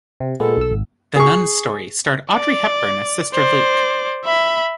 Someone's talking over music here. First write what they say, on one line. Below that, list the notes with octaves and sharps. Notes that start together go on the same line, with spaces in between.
"The Nun's Story" starred Audrey Hepburn as Sister Luke.
C3
A#2 G#3 B3 A4
B1 E6
G#1
G#4 C#6
D5
C5 D5
E5 B5